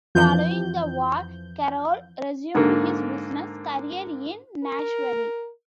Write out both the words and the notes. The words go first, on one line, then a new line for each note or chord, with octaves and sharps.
Following the war, Carroll resumed his business career in Nashville.
F2 E3 F3 G6
G#2 D3 A#3
A#4